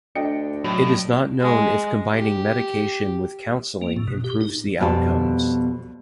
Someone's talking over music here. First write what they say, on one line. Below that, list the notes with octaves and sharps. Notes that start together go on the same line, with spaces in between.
It is not known if combining medication with counseling improves the outcomes.
D2 D4 D#5 G5 C#7
A2 F#3
G#3
G4
A#3
A2
B2
G4
D#4
F2 B2 G3 G#5 A5